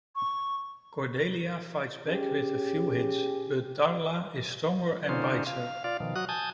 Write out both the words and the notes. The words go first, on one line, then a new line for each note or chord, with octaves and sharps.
Cordelia fights back with a few hits, but Darla is stronger and bites her.
C#6
C#4 G4 G#4
D3 C#4 D#4 F4 C5
F5
F4 D5 F5
B2 D#3 F3
F#3 F#4 D#6 F#6
G#5 A5 D#6 G6